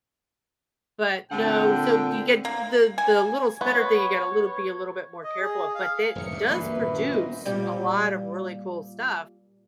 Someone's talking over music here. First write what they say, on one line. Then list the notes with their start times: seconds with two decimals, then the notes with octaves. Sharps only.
but no, so you get t the the little spinner thing, you gotta little be a little bit more careful of, but it does produce a lot of really cool stuff,
1.31 A#2 D3 C4 F#5 G5
2.45 A#3
2.98 G#5
3.61 B3 B4 C#5
5.24 D#5
5.41 G#4
5.75 F5
6.15 D#1 G#1 F#2 A2 C#7
6.32 C#2 G2
6.49 E3 F#3 A#3 B4
6.76 A#2 D#3 B3
6.94 F#3 C#4 F4
7.13 B3 C4 D4 E4 D#5
7.45 A#2 G3 G4